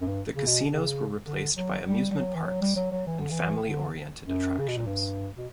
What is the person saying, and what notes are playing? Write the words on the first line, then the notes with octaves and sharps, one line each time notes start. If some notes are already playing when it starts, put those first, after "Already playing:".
The casinos were replaced by amusement parks and family-oriented attractions.
F#2
G2
C#3
B2
C#3
D3
F#3
G3
G3
F#3
E3
F#3
G3
F#3
F#3
E3
D3
E3
D3
F#2
C#3
B2
A#2
G2
B2